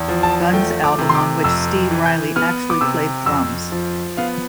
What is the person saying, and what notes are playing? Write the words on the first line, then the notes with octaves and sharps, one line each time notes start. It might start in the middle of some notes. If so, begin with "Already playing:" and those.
Guns album on which Steve Riley actually played drums.
Already playing: E2
F3
A5
A3 G5
D6
C3
C6
D6
F2 E6
E3
G6
B3 F6
D6
C3 E6
F2 E6
F3
B3 F5